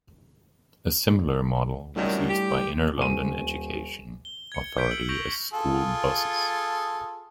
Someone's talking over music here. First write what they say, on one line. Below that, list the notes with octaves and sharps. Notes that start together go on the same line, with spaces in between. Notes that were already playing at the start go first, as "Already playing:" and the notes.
A similar model was used by the Inner London Education Authority as school buses.
F#2 A2 C3 D#3 G3 D4
G4
D#1 D#7
G7
G#6 C#7
F6 G6 B6 D7
E6 F#7
C#6 G6 A#6 D7 F7 F#7
F4 G#4 A4